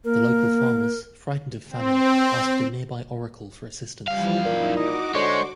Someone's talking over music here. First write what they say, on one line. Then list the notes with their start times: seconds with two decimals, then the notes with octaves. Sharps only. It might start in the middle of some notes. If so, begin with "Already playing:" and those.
The local farmers, frightened of famine, asked a nearby oracle for assistance.
0.05 A#3 A#4
1.70 C4
4.08 F#2 E3 F3 G3 F5
4.45 A#2 D#4 E4
4.77 D#4 F#4 D6
5.15 D3 G#3 C5 C#5 C#6